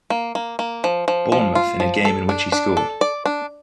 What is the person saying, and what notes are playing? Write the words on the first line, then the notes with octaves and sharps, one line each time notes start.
Bournemouth in a game in which he scored.
A#3
A#3
A#3
F3
F3
F3
F4
F3
A4
D4
D4
A4
D5
D4